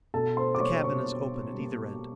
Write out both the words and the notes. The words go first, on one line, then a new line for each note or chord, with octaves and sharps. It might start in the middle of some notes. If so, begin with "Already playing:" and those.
The cabin is open at either end.
B2 A4 A5
C5 C6
D6
G3 A#3 C#5 C#6
C#5 C#6
B2
G3
A#3